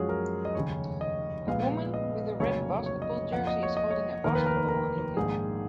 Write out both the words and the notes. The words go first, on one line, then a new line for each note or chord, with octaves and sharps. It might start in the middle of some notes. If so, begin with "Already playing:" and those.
A woman with a red basketball jersey is holding a basketball and looking up.
Already playing: F#2 F3 G#3 C#4 F4 F#4 G#4
A#4
D#5
F1 D#2 C#3 C#5
D#5
A#1 A#2 G#3 B3 F5
D#5
F1 F2 C#3 F#3 A#3 C#5
C#5
D#5
F2 F3 A#3 F#5
D#5
C#5
D#5
C#5
F1 D#2 D#3 A#3 A#4
B4
A#4
B4
A#4
A#1 G#2 D#3 A#3 G#4